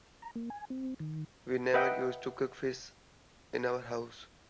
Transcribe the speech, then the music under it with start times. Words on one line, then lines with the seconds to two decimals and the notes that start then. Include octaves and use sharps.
We never used to cook fish in our house.
0.22 A#5
0.35 A#3
0.50 G#5
0.70 C4
1.00 D#3
1.74 B4 D#5 E5 F#5 G5